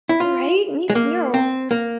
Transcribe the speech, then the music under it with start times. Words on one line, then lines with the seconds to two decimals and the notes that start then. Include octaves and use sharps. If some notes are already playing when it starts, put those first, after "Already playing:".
Right? Me too.
0.09 E4
0.20 F4
0.90 G#3
0.95 A#3
1.34 C4
1.71 A#3